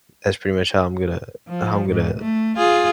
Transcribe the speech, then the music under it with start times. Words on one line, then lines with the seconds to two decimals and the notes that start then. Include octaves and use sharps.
that's pretty much how I'm gonna how I'm gonna
1.48 F3
1.89 G#2
2.20 A3
2.57 F4 G#4